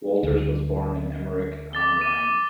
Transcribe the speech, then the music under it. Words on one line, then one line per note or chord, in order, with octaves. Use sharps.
Wolters was born in Emmerich am Rhein.
D2
D6 A6 G7
D6 D#7